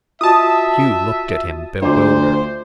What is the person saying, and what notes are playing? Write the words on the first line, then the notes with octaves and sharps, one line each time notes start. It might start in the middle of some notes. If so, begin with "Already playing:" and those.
Hugh looked at him bewildered.
F4 F#4 D#5 E5 A5 D#6
D2 F4 C5 D#5 D6